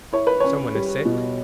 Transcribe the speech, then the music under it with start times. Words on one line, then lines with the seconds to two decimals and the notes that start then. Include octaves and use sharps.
"Someone is sick?"
0.13 E4 C#5
0.27 B4
0.40 C#4 C#5
0.75 G3
1.05 B2